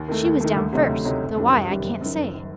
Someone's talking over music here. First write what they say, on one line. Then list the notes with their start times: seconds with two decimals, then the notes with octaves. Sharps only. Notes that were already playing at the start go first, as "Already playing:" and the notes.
She was down first, though why, I can't say.
Already playing: D#2
0.08 D#3 A3
0.25 D#2
0.41 D#3 A3
0.56 D2
0.72 C3 F#3 A3 D#4
0.89 D2
1.05 C3 F#3 A3 D#4
1.21 F#1
1.37 F#2 D#3 G3
1.53 F#1
1.69 F#2 D#3 G3
1.84 F#1
2.01 F#2 D#3
2.17 F#1
2.33 D#3